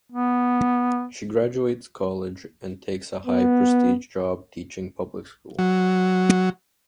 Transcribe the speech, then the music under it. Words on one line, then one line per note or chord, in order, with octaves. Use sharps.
She graduates college and takes a high-prestige job teaching public school.
B3
B3
F#3